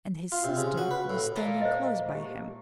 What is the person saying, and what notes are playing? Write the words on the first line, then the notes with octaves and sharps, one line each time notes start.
And his sister was standing close by him.
F4
C3
C#3
F#4
B4
A2
A#2 A3 A#3
C5 D#5
G4